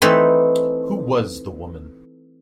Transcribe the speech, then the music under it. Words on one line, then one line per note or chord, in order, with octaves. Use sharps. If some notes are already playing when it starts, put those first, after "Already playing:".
Who was the woman?
E3 A3 C4 D#4 A4 B4